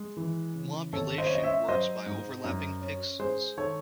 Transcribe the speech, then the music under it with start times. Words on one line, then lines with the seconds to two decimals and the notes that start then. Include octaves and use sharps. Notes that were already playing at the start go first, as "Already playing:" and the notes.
Wobulation works by overlapping pixels.
Already playing: G#3
0.17 E3
0.55 C#3
0.92 G#1 A4 C#5
1.18 C5 D#5
1.27 C#5
1.30 C#4
1.35 D#5
1.43 C#5 E5
1.68 F#3 C5 D#5
2.06 G#2
2.44 F#2
2.82 C#4
3.19 G#3 G#4 C5
3.57 D#3 A4 C#5